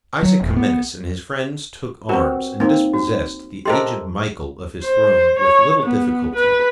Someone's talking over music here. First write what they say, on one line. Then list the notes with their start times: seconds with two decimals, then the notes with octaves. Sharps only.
Isaac Comnenus and his friends took arms, and dispossessed the aged Michael of his throne with little difficulty.
0.23 F#3
0.42 E1
0.56 B3
2.09 C4 F#4 A#4 B4
2.60 A#3 C4 D#4
2.93 F#4
3.65 G4 A4 A#4 C5 D#5 C6
4.85 C5
5.39 C#5
5.83 B3
6.36 B4